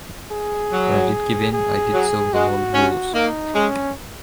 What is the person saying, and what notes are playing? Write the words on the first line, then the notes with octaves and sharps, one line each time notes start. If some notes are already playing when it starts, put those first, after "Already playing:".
When I did give in, I did so with a lot of rules.
G#4
F#3
G#4
F#3
G#3 F#4
C#4
A#3 D#4
G#3 C#4